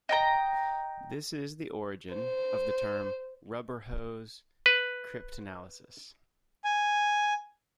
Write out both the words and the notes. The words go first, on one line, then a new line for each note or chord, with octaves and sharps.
This is the origin of the term Rubber-hose cryptanalysis.
D#5 G5 A#5
C5
B4
G#5